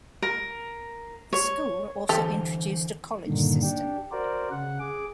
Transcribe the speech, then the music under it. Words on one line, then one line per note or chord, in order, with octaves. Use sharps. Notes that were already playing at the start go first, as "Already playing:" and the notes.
The school also introduced a College system.
A#4
C#5
D3 E3 G4 A4 C5
G2 A#2 D3 D#3
D4 G4
F#4 A#4 C5 D5
C#3 F#5
G#4 D6